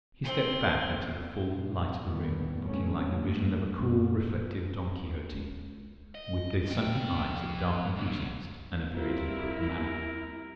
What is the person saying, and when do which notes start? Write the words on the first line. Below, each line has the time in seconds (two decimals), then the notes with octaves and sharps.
He stepped back into the full light of the room, looking like the vision of a cool, reflective Don Quixote, with the sunken eyes of a dark enthusiast and a very deliberate manner.
0.24 C4 C6
1.51 A#2
2.02 F2 A2 D#3 G3 A3 B3
2.62 D3 G3 A3 B3 C#4
3.06 A2 D3 F#3 A3 A#3
3.78 F#2 G#3
5.33 C#2 C#4
6.15 D#5
6.70 F3 G5
7.97 C#3 F#3
8.94 G3 C4 E4 F4 A#4